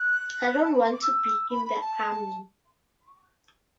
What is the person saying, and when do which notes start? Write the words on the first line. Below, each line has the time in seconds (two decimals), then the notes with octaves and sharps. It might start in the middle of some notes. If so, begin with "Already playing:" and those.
I don’t want to be in the army.
Already playing: F#6
0.64 A5
0.74 B5
0.83 C6
0.92 D6
1.02 E6
1.50 B5
1.65 B5
1.81 A5